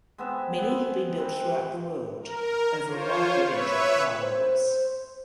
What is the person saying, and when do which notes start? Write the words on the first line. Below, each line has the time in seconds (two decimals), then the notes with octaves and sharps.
Many have been built throughout the world, over a wide range of power levels.
0.18 G#3 B3 C4 E5
0.58 B3 E5
1.17 C3 C4 B4
2.21 A#4
2.88 F4 C5 C#5
3.48 B4 C#5 E5
4.21 C5